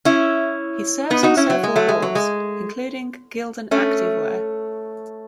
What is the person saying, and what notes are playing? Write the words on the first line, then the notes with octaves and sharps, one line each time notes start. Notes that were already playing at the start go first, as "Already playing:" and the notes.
He serves on several Boards, including Gildan Activewear.
C#4 E4
B3 D#4
D#4 F#4
C#4 E4
F#3
G#3
F#3 A3
G#3
F#3
G#3
A3 C#4